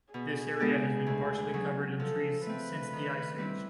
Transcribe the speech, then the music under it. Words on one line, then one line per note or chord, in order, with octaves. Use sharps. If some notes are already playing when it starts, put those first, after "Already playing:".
This area has been partially covered in trees since the Ice Age.
B2 G#4
G#3 B3 D4 G4
D2
C#3 F#3
F3 A4
A3 C4 B4
D#3
G3 C4 E4